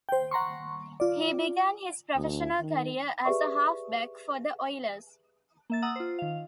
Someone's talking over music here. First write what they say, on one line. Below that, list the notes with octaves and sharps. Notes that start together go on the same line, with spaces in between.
He began his professional career as a halfback for the Oilers.
C5 G5
F#5 A#5 C6 C#6
F4 D5
D2
D#3
G4 G#4 B4 D5 E5 C#6
A#3 E5 A6
F#5 A#5 D#6 E6
F4 C5
D#3 F5